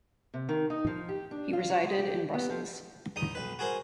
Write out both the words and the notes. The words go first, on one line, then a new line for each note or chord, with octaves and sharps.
He resided in Brussels.
C3
D#3
D#4
F3
G4
D4
F4
F#3
G#3
G4
B3
F3
E2 D#4 D#6
B1 B4
F#4 G#4 A#4 C5